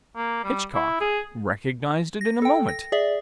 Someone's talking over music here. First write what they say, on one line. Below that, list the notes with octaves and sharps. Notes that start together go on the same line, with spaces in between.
Hitchcock recognized it in a moment.
A#3
G3
E4
G#4
A#6
A4 G5
A#6
G#4 D5 E5